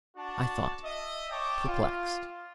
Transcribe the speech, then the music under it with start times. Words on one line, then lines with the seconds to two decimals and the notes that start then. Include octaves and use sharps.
I thought perplexed.
0.17 D4 F#4 A5
0.83 D#5 E5
1.30 C#5 G5 A5 D6
1.67 F4